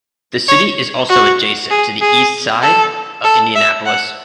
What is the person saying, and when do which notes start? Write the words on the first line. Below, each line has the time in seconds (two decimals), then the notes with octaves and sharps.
The city is also adjacent to the east side of Indianapolis.
0.48 C#5
1.09 F#4
1.71 G#4
2.01 G#4
2.63 A4
3.24 A4
3.55 E5
3.86 F#5